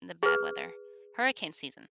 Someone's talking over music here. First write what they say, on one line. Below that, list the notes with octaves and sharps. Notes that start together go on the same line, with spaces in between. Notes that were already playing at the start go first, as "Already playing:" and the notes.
the bad weather hurricane season.
G#4 B4